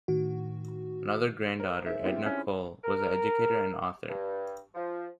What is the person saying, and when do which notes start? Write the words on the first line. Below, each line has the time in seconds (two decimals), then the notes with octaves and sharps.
Another grand daughter, Edna Coll, was an educator and author.
0.08 A2 D#3 F#4
1.60 A#4 C5
1.86 D#4 G#4 E5
2.04 B3 C4 D4 E4 F4 G4
2.26 C#4
2.84 A#4
4.09 G2
4.75 F3